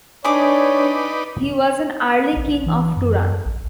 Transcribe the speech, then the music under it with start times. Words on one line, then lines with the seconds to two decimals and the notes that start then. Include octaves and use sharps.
He was an early king of Turan.
0.24 D4 D#4 G#4 B4 C#5 D5 D6
2.37 A#1
2.66 E3
2.97 F#2
3.46 A#1